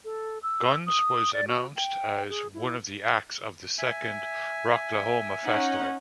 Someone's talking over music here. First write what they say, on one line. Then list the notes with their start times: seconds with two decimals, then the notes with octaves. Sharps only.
Guns was announced as one of the acts of the second Rocklahoma festival.
0.05 A4
0.43 E6
0.86 D#6
1.33 D5
1.47 F#4
1.76 G5
2.29 G#4
2.54 E4
3.78 E5 G#5
5.43 C#4 D#4 F#5